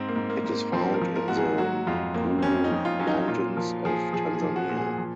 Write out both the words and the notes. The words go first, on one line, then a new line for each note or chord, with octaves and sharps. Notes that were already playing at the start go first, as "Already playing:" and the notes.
It is found in the Nguru Mountains of Tanzania.
Already playing: G#2 C4
A#3
G#2
A#3
G#2
A#3
F3 C4
A#4
F3
A#4
G#2 F#4
G#4
F#3 F#4
F2 F4
F2 A#3
C4
F2 C#4
D#4
F2
F4
F#3 C#4
D#4
A#2 F4
F3 A#4
F3 G#4
F3 G#4
G#4
F3
F#4
A#2
G#4
F3